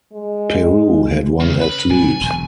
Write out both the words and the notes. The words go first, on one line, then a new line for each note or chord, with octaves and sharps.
Peru had one athlete.
G#3
C#3
B4
A#2 F#3 G#5
E1